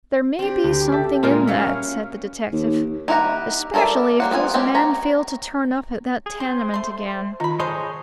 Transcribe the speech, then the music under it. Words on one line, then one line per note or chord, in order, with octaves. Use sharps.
"There may be something in that," said the detective. "Especially if those men fail to turn up at that tenement again."
C4 D4 G4
D2
A4 E5
A#2 G#3 A#3 F4 A#4
F#3 G3 C#4 E5 F5
D#2
D#4 E4 G4 F#5 A#5
A4 A#4 C#5 D5 E5
G3 A#3 F#5
B3 C4 F4 G#5
G#3 C4 C#4 G4
C#5 A#5
G#4
C4 C5
A3 C6
D#3 D#4 F4 B5
G#3 G#4 A4 C5 C#5 D#5